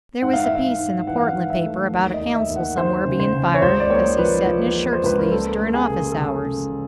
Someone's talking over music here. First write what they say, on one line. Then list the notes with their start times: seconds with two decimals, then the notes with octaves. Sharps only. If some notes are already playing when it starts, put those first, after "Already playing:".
There was a piece in a Portland paper about a Counsul somewhere being fired because he set in his shirt-sleeves durin office hours.
0.22 G#2 F#5
0.33 F5
0.44 E5
0.51 G#2 F5
0.79 G#2
1.07 E3 F#5
1.17 F5
1.28 F#5
1.36 G#2
1.50 E5
1.64 A3
1.92 D#2
2.14 D#5
2.21 D#2
2.35 E5
2.49 D#2
2.56 F#5
2.77 D#2 C5
3.05 C#3
3.20 C5
3.34 C#3
3.54 C#5
3.62 C#2 C5
3.80 D5
3.90 A#3 C#5
4.18 F3 B4
4.47 F3
4.75 A#3
4.93 C5
5.03 C#2 B4
5.19 A#4
5.31 A#3 A4
5.60 A#3
5.67 A4
5.74 G#4
5.88 C#3
6.12 A4
6.17 C#3 G#4
6.45 C#3